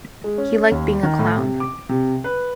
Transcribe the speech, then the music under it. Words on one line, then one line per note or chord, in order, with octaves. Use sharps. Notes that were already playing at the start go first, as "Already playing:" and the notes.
He liked being a clown.
G#3
C#4
D#2
D#3
A2
C3
D6
C3
B4